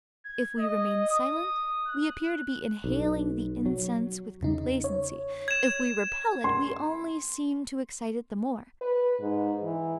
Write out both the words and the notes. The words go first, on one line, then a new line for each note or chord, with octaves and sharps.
If we remain silent, we appear to be inhaling the incense with complacency; if we repel it, we only seem to excite it the more.
G#6
D#5
D#6
F#6
B1
F#3
E2 C#3 D#4
C#5
G#6 E7
C6
B4
G#2
E3